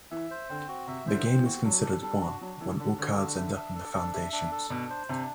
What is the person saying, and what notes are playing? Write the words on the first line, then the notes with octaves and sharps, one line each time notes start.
The game is considered won when all cards end up in the foundations.
E3 E5
C5
D3 C4
F#4
C3 E5
E3 C5
D3
C4
E3
F#4
F#3 D4
A4
G3 D4
F#4
F#3 D4
E3 A4
D3 D4
D3 F#4
D4
E5
D4
A4
D4
E5
D4
A4
B2 D4
C5
C3 D4